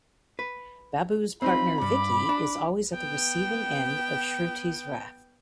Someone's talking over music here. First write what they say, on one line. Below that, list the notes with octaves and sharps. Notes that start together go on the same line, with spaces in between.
Babbu’s partner Vicky is always at the receiving end of Shruti’s wrath.
B4
C4 D#4 F4 B5
G2 B5 D6
D4
B3 G5